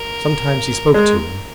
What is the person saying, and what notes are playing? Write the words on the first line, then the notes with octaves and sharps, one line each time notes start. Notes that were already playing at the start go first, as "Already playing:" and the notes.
Sometimes he spoke to him.
Already playing: A#4
G#3 A#4